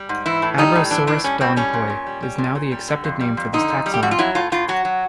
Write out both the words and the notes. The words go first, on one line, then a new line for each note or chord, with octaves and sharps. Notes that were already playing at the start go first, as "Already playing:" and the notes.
"Abrosaurus dongpoi" is now the accepted name for this taxon.
Already playing: G3
G#2
E3 E4
A2
G3 D#4
A2
E3 D4
A2 D4
G3 C#4
A2 C4
G3 C#4
A#2
A#2
G3
G3
A#2
A#2
G3
D3
F2
G3
F2
D3 D#4
F2
G3
G4
F2 F#4
F4
F#3 E4
A2 F4
A2 F4
F#3 F#4
F#3